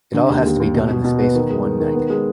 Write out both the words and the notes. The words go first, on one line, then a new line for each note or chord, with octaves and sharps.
It all has to be done in the space of one night.
D3
D#2
D#2
D#2
B2
B2
B2
B3
D#3
G#3
D#3
D#3
B3
G#3